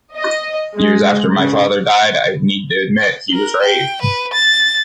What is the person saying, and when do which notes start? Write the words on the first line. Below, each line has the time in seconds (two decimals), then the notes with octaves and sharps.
Years after my father died I need to admit: He was right.
0.15 D#5
0.75 G#3
1.30 C#3
3.33 A#4
3.62 G5
4.02 B4
4.33 A6